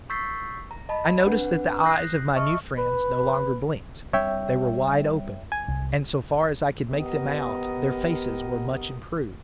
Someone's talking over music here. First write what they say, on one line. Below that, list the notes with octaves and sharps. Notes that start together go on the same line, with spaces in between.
I noticed that the eyes of my new friends no longer blinked; they were wide open; and, so far as I could make them out, their faces were much improved.
C#6 E6 G6 A6 B6 C7
A#5
D#5 A5 B5
C4 D4 B4 F#5
D#6 F#6 G6 A#6 C7
D#5 E5 A5 C#6 D#6 F6
B4
G3 C4 D4 C#5 E5 G5
G#5
C2
B3 G4 A#4 D#5